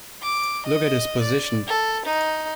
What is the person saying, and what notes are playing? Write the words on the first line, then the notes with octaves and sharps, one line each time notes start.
Look at his position.
D6
D#5
D5
A4
D#4